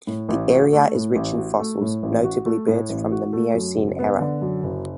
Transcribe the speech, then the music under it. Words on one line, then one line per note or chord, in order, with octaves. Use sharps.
The area is rich in fossils, notably birds from the Miocene era.
A2
A1
F#4
A3
A2
A1
F#4
A3
A2
A1
F#4
A3
A2
A1
F#4
A3
F#2
F#1
B3
D3
F#2
F#1